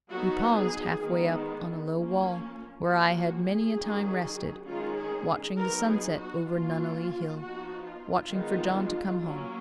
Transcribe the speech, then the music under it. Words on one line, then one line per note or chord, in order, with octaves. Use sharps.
We paused half-way up on a low wall, where I had many a time rested, watching the sunset over Nunneley Hill--watching for John to come home.
F#3 B3 D#4 F#4
G#4
D#3 G#3 B3
F3 A#3 C#4
F3 A#3 C#4 F#4
F#4
G#4
D#3 F#3 C#4
D#3 G#3 C#4 F4
G#4
F#3 B3 D#4 A#4
G#4
F#4
F3 A#3 C#4 F4
F3 B3 D#4 F#4
F4
D#3 G#3 B3 D#4
F#3 A#3 C#4